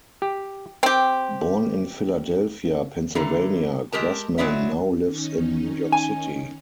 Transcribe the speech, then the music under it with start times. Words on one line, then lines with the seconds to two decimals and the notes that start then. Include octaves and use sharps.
Born in Philadelphia, Pennsylvania, Grossman now lives in New York City.
0.22 G4
0.83 C4 G4
3.15 D3 E3 A#3
3.93 G#3 G4 A#4 A5
4.38 F#3 G#3 D4 E4 E5
5.02 D#3 C#4 D#4
5.92 G#5